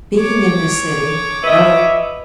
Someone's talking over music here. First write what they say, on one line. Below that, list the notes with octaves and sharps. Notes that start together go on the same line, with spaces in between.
Speaking in this city, Rev.
C#5 D6
B4 D#5 E5